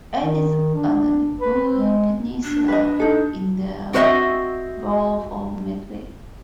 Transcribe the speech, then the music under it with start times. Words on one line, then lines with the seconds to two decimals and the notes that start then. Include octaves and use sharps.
It is on the Hoo Peninsula in the borough of Medway.
0.22 D#3
0.74 D4
1.40 B4
1.73 G#3
2.44 D4
2.68 B4 D#5
3.00 D#4 A4
3.93 C4 F#4 B4 C5 D#5 E5